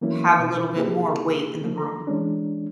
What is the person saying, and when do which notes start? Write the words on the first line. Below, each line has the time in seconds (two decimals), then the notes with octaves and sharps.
have a little bit more weight in the room.
0.01 E3 F#3 A#3 B3 C#4 E4
0.39 B2
0.75 C3 A#3 E4 G4 G#4
1.61 F3 A3 A#3
1.78 A4 A#5
2.07 E3 G#3 C#4 D4